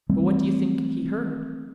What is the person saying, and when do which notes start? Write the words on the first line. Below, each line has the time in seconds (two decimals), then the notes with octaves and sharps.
But what do you think he heard?
0.09 E3 G3 A3 C4